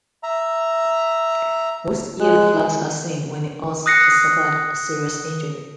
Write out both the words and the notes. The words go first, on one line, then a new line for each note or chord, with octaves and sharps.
Most yellow flags are seen when a horse has suffered a serious injury.
E5 A#5
G#3 F#6
D#6 F#6 A#6 C7 C#7